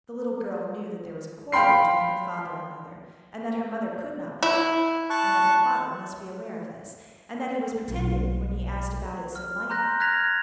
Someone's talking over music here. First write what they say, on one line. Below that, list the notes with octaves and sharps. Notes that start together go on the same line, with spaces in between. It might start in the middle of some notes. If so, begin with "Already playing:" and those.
The little girl knew that there was a quarrel between her father and mother, and that her mother could not be cheerful, and that her father must be aware of this, and that he was pretending when he asked about it so lightly.
F5 G5 B5 C6 C7
E4
A5 C#6 F#6
B1
F6
A#5 C6 F#6 G6 A#6
F6 F#6 G#6 A#6 B6 F7